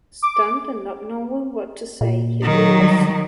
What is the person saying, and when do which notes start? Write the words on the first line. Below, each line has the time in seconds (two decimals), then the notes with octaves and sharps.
Stunned and not knowing what to say, he leaves.
0.22 D6
2.01 A#2
2.43 D#3 F#3
2.80 G3